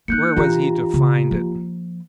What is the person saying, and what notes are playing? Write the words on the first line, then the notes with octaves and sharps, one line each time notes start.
Where was he to find it?
A#3 D#4 F#6 G6 C#7
E3 D4 F4 G4 A#5
C#3 B3
F3 A#3